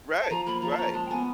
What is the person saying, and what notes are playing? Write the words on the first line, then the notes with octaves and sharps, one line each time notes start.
Right. Right.
A5
F3 A#5
A#3 B5
F3 A#5
A5
C#4 A#5
G#3 A5
G5
B3 G#5